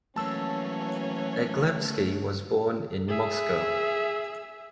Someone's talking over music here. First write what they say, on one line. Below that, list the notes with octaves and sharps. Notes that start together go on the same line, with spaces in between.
Eglevsky was born in Moscow.
E3 F#3 A3 A#3 C#4 C#5 A5 E6
G#4 E5